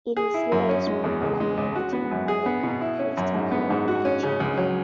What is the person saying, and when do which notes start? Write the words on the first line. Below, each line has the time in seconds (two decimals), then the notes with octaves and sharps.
It is less popular in Latin America, Western Europe, and China.
0.17 G#4
0.34 E4
0.52 F#2
0.69 C#4
0.87 G#3
1.04 E2
1.21 C#2
1.40 G#3
1.57 C#2
1.75 F#4
1.93 B3
2.11 F#2
2.28 G#4
2.46 B3
2.63 B2
2.81 E4
2.99 C#4
3.17 F#2
3.34 G#2
3.51 B3
3.70 G#2
3.88 F#4
4.05 C#4
4.23 C#3
4.40 C#2
4.57 F#3